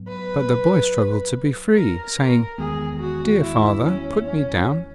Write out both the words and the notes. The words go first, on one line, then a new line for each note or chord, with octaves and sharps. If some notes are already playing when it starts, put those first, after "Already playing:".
But the boy struggled to be free, saying 'Dear father, put me down.
Already playing: G#2 F#3 B3
B4
A#4
A#4
E2 D#3 G#3 B3 G#4
F#4
E4
C#4
C#4